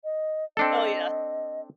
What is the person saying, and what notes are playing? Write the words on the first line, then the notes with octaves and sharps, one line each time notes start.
Oh yeah.
D#5
C4 D4 A4 D#5